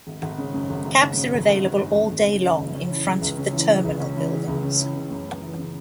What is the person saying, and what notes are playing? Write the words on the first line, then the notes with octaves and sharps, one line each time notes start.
Cabs are available all day long in front of the terminal buildings.
G#1
G#1
C#3
F#2
G#1
G#1
C#3
F#2
G#1
G#1
C#3
F#2
G#1
G#1
C#3
F#2
C#2
C#4
E3
C#3
C#2
C#4
E3
C#3
C#2
C#4
E3
C#3
C#2
C#4
E3
C#3
F#2
B3
E3
C#3